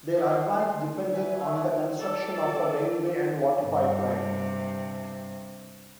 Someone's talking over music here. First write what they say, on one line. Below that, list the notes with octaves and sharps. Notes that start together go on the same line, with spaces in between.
Their advance depended on the construction of a railway and water pipeline.
D#4 E4 D5
D5 F5 F#5
C6
B4 C#5 E5 G#5
B3 G#4 C#5 E5
D5 F#5 G#5
A4 D5
G2 C3